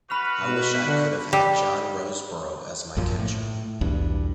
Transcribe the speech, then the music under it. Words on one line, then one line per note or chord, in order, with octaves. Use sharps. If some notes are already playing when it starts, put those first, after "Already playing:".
I wish I could have had John Roseboro as my catcher.
F#4 B4 B5 F6 F7
B2
D3
G3
A#1 F#2 A#2 F3
A2
B1 E2 G2